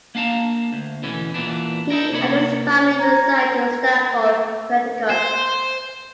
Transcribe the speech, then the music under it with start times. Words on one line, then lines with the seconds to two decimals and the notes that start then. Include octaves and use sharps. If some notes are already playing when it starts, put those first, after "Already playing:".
He and his family reside in Stamford, Connecticut.
0.15 A#3 D4 F5 A5 A#5
0.73 D2
1.03 B2 D3 E3 C#4
1.34 E2 A#2 E3 B3 D4
1.90 D#4 E4 A#4
2.11 C3 A#3 C#5 B5
3.00 A#5 G#6 A#6
5.10 C5